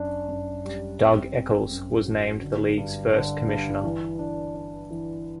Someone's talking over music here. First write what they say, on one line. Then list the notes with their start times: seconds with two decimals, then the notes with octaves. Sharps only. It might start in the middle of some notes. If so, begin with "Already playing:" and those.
Doug Echols was named the league's first Commissioner.
Already playing: F#2 D4
0.29 F#2
0.65 G3
1.00 C4
1.35 C4
1.71 F#2
2.06 F#3
2.41 D3
2.77 G2
3.13 D3
3.48 G2
3.84 E3
4.19 D4
4.55 D4
4.91 E3